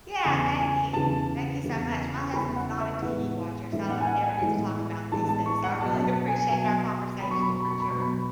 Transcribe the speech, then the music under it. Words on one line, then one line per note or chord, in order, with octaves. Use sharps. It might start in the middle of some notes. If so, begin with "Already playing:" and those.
Yeah, thank you. Thank you so much my husband's not a TV watcher, so I don't ever get to talk about these things, so I really appreciate our conversation for sure.
E2 C#3 E3 G#5
G#5
E2 C#3 E3 A5
E2 C#3 E3
E2 C#3 E3 B5
F#5
E5
A2 E3 G#3 B3 F#5
A2 E3 G#3 B3 E5
F#5
G#5
F#5
G#5
A2 E3 G#3 B3
A2 E3 G#3 B3 A5
A5
C#6
F#5
B2 F#3 B3 A5
A5
G#5
B2 F#3 B3 G#5
B2 F#3 B3 B5
C#6
B5
C#6
B5
C#6
B5
B2 F#3 B3 C#6
B5